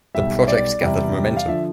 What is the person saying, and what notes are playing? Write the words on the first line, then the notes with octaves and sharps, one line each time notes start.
The project gathered momentum.
B1 B2 G3 E5
D5
E2 C3 G3
F5
D3 F3 E5